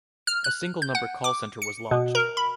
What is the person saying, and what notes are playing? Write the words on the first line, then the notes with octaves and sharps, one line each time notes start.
A single number call centre was launched.
F6
F#6
G6
F#5
D6
C#7
B2
A#4
B5